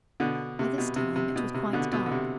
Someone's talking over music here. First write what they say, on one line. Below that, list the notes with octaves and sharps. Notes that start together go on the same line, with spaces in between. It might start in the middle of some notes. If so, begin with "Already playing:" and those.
By this time it was quite dark.
B2 D3
C3
B2
C3
C3
B2
C3
B2 D3
B2
D3
C3